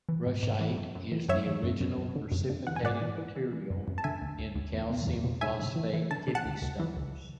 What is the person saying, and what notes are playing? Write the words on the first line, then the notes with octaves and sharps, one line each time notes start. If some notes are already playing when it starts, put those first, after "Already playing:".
Brushite is the original precipitating material in calcium phosphate kidney stones.
E3
G#2
G#2
E3
F#2
F#2
E3
F#2 C#5 E5
E3
F#2
F#2
F#2
D3
F#2
D3
E3 F#5
G#5
G#2 D5 F#5
E3
E3
E3
E3
F#2
F#2
A5
D3 E5 G#5
D2
D2
D2
E2
B2
E2
B2
G#2 E5 G#5
G#2
E3
E3
D3 A5
D3
F#5 A5
D2
D2
E3
C#2